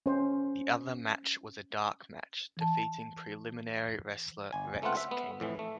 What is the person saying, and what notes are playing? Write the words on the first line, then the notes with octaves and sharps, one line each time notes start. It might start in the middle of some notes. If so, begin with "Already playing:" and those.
The other match was a dark match, defeating preliminary wrestler, Rex King.
C#4 C5
E3 A5
G1 G#5
C#2 A3 B3 C4 F4 F#5
E5
B3
F2 A2 E3
A3